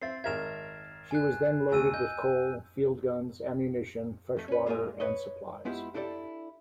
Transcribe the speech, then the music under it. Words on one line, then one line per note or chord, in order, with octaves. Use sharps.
She was then loaded with coal, field guns, ammunition, fresh water, and supplies.
C4 C5 E5 A6 C7
G#1 A#4 E5 G#6 E7
G#5 F#6
D2 G#5 E6 D#7
D#5 G6
F2 A3
C#4 B4
G#3 A#3 F4 G4 G#5
B4 C#5 D#5
G#3 B3 E4 F4 G4
D4 E4 G4 A4 D5